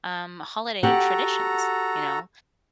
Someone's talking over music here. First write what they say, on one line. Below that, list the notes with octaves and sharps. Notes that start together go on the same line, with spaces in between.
um, holiday traditions, you know?
F#4 G4 A4 F#5 A#5